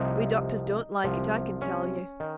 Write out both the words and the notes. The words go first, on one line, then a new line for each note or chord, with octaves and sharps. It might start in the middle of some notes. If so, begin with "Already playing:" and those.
We doctors don't like it, I can tell you!'
Already playing: C2 C3 F3 D#4
C2 C3 F3
C#4
D#3